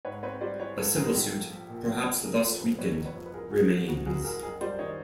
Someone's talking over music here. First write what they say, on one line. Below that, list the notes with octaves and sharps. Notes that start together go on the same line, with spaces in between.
A civil suit, perhaps thus weakened, remains.
G#2 B4 C#5
C4 B4 C#5
G3 C5 D5
E3 B4 C#5
G#2 A4 B4
C4 G#4 A#4
A#1 G4 A4
A#1
F3
A#2
A#1
A#1
F1 G#4 A#4
F3
A4 B4
C3
F2 B4 C#5
F1
B4 C#5
F3
B4
C2 G#4 A#4
C2 F#4 G#4
F3 F#4
C3 F#4
C2 F#4 G#4
C2 G#4 A#4
F#1 G#4 A#4
G3 C5 D5
D#3 C#5 D#5